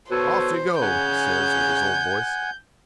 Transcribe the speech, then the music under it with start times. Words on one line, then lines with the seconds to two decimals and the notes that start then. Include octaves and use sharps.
'Off you go,' he says, with his old voice.
0.11 B2 A4 C5 C#5
0.81 C#3 F#5 G#5 G6